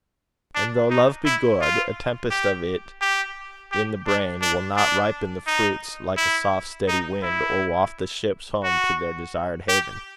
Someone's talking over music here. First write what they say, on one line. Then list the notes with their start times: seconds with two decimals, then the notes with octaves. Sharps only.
And, though Love be good, a tempest of it in the brain will not ripen the fruits like a soft steady wind, or waft the ships home to their desired haven.
0.55 D4
0.90 D#4
1.25 E4
1.61 F4
2.31 G4
3.01 G4
3.72 G4
4.07 D4
4.42 D4
4.77 D4
5.47 D#4
6.17 E4
6.88 D#4
7.23 E4
8.64 F#4
9.69 G4